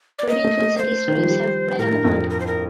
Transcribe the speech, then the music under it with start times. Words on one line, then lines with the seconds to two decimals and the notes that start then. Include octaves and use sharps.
Caribbean coots and least grebes have bred on the pond.
0.19 D5
0.28 A#3 D#5
0.44 A3
0.62 A3
0.78 C5
1.08 D#3
1.18 F3
1.29 G3
1.79 A2 A#4
1.92 G2
2.05 F2
2.30 A#4
2.40 C5
2.47 A#4